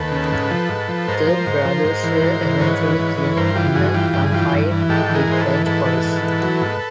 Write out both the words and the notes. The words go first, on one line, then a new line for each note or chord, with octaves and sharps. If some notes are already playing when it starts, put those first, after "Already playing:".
The brothers were eventually killed in a gunfight with French police.
Already playing: D#2 A4 B4
C#3
G#2
F3
G#2
F3
G#2 A#4 C5
F3
G#2
F3
G#2
E3
G#2
E3
G#2 B4 C#5
E3
G#2
E3
G2 A#4 C5
E3 F4 G4
G2 F#4 G#4
E3 F4 G4
G2 G4
G#4
E3 F4 G4
G2
E3
G#2 G4 A4
E3
G#4 A#4
G#2 C5
A4 B4
E3
G#2 A4 B4
E3
G#2
E3
F#3
G#2